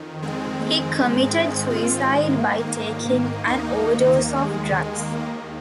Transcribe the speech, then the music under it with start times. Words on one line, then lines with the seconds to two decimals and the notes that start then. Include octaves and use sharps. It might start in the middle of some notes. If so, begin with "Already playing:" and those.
He committed suicide by taking an overdose of drugs.
Already playing: F2 D#3
0.22 G#3 C4
1.11 G#2 D#3
1.70 C4 F4
1.99 G#3
2.29 A#3
2.59 A#3
3.47 D#2 D#3 A#3 D#4
4.06 A#3
4.36 G#3
4.65 G#3
4.95 A#3